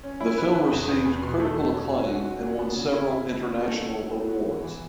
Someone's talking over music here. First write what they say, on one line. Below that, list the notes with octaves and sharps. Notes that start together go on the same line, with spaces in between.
The film received critical acclaim and won several international awards.
C#4
E4
B4
B4
E2
E2
E2
B2
A3
A3
C#4
C#4
F#4
F#4
F#3
B3
C#3
E4
E4
E4
C#4
A3
C#4
F#3
B3
F#4
E3
E3